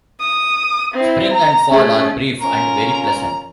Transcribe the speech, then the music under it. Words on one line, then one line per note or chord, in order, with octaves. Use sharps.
Spring and fall are brief and very pleasant.
D#6
C4 E4
A#5
A3 C#4 G#4
C#4 F4 A#4 A#5